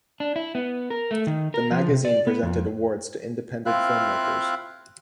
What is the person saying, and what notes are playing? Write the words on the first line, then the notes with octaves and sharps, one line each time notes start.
The magazine presented awards to Independent film makers.
D4
E4
B3
A#4
A3
D#3
A#4
F3
C3
D5
B3
F2
C4 E4 F4 E5 F5 F#6